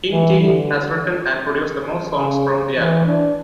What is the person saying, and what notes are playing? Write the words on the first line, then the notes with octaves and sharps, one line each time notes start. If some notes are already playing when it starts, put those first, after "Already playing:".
King T has written and produced the most songs from the album.
E3
D3
C#3
E3
D4